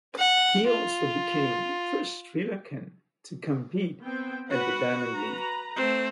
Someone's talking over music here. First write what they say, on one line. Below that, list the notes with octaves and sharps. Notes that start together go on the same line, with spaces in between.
He also became the first Sri Lankan to compete at the Diamond League.
F#5
F4
B3 C4 G5
F#4 B4 F#5
B4 A#5
A3 C4